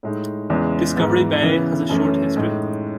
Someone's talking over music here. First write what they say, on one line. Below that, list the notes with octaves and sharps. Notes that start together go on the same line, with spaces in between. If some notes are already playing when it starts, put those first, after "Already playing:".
Discovery Bay has a short history.
A2 G#3 D#4
E2 C#3 E3 G#3
G#2 E3 B3
C#3 E3 B3
F#2 E3 A3 C#4
A2 G#3 D#4